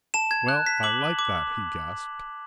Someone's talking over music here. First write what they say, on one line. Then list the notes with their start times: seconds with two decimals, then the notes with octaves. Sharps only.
"Well, I like that!" he gasped.
0.14 A5 E7
0.31 G#6
0.49 F#6
0.67 B6
0.83 D6 F#7
1.19 D6